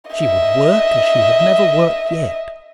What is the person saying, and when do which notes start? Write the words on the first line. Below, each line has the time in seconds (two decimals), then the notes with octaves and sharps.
She would work as she had never worked yet.
0.11 D#5 E5